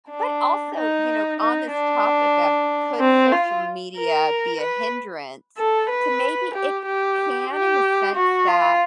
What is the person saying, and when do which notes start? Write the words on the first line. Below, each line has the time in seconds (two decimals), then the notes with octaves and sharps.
but also, you know, c on this topic of "Could social media be a hindrance?" To maybe it can in the sense that
0.11 D4
0.75 D#4
1.40 D#4
1.72 D4
3.00 C4
3.32 F4
3.97 A#4
4.62 B4
5.58 A4
5.90 B4
6.54 G4
6.86 G4
7.51 G4
8.16 F#4
8.47 F4